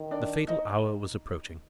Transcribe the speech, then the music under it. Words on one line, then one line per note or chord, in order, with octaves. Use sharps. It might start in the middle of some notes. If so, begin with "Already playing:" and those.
The fatal hour was approaching.
Already playing: D#3
D4 D5
D#4 D#5